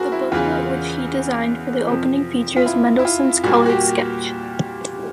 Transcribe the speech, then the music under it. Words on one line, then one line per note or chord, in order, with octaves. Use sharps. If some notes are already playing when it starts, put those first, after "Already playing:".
The booklet which he designed for the opening features Mendelsohn's coloured sketch.
Already playing: C#2 F#4 G#4 A#4 C5
E4
E2 C#3 E3 F4
F2 C3 F3
F4
E4
E4
F4
A#2 G3 A#3 F#4
F#4
G4